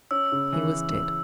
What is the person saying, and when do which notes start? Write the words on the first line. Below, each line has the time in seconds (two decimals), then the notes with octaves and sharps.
He was dead!
0.11 C#4 E6
0.32 C#3
0.53 E3